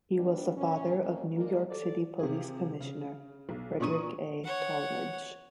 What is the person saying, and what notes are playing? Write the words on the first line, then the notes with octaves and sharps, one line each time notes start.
He was the father of New York City Police Commissioner Frederick A. Tallmadge.
D#3 G3 B3 D4
A#2 C#4
F2 A#3 C#4
G#2 A#3 A#4 D5
A4 D5
C3 F4 G#4
C#3
B1
A#2 D4 A#5 C#6 D#6 D#7
C#5 F#5